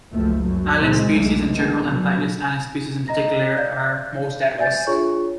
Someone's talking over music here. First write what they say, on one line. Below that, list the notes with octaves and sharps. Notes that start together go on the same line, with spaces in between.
Island species in general, and flightless island species in particular are most at risk.
F#1 C#2 F#2 F3 A3
F#2 F#3
A#2 C#3 F#3 G#3 C4
B1 E2 D3 G#3 A3
E2 D#3
B2 D3 F#3 G3
D#5 A#5 A#6
D5 F5 G6
D5 E5 G#5 G6 A6
D4 F4 G#4 C#5 C#6